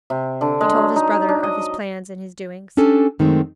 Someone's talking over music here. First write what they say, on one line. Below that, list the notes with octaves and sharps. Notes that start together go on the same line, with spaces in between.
He told his brother of his plans and his doings.
C3
D3
G#3
F#3
D#4
D4
D#5
C#4 D4 G4 A4 G#5
F#2 D#3 G#3 A3 C4